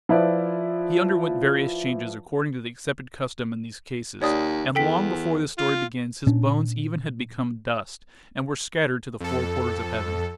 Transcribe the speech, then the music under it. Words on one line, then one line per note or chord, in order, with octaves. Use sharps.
He underwent various changes according to the accepted custom in these cases, and long before this story begins his bones even had become dust, and were scattered to the four quarters of heaven.
F3 E4 B4 D5
D#2 C#5 D5 D#6
E2 A4 G5 B6
F4
A#2 C#4 D4
F2 A4